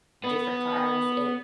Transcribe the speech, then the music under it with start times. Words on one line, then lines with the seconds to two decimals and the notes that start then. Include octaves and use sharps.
different cars and
0.24 B3